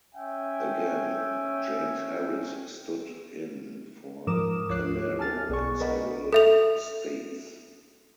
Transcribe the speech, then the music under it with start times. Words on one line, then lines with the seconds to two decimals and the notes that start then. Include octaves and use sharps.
Again, James Harris stood in for Calero in several states.
0.15 C#4 E5 G5 G#5
4.27 G#2 F3 A#4 D6 D#6 E7
4.69 D2 F4 C#5 D6 F#6 C7
5.19 G#5 A5 F6 A6
5.49 B1 B3 G#4 D5 G#5 C#6
5.81 A#4 B4 D5 D#5 F#5 B5
6.33 A4 E5 F7